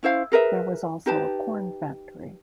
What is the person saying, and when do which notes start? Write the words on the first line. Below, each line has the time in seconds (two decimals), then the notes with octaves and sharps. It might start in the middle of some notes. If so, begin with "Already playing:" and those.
There was also a corn factory.
0.03 C#4 E4 C5 F5
0.32 G#4 A#4 B4 E5
1.06 D#4 G4 B4 A5